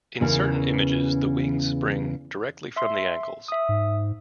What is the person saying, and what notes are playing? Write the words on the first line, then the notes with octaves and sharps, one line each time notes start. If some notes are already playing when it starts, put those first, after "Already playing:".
In certain images, the wings spring directly from the ankles.
E2 C#3 E3 C#4 A#4
E5 C6
E5 D#6
G#2